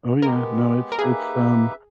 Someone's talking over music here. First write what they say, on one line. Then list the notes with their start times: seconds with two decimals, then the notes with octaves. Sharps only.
Oh yeah, no, it's it's, um
0.22 G#3 B3 G4 A#4
0.92 A#4
0.99 A#3 D#4 G4 G#4 B4 E5